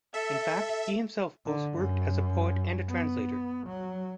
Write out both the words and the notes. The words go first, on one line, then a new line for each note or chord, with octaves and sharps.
In fact he himself both worked as a poet and a translator.
A4 E5
D3
F#2
B3
F#3